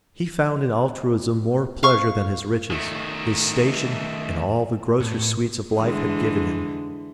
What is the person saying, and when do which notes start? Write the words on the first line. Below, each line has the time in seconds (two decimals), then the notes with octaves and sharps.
He found in altruism more pleasure than his riches, his station and all the grosser sweets of life had given him.
1.83 F5 C#6
2.71 D#3 A3
5.00 A2
5.75 D3 E3 G#3